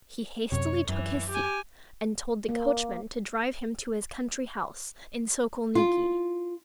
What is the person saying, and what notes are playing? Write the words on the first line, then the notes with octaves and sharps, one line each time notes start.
He hastily took his seat and told the coachman to drive him to his country house in Sokolniki.
F#2 C3 C#5
F#2 E3
G4 G#5
A#3
F4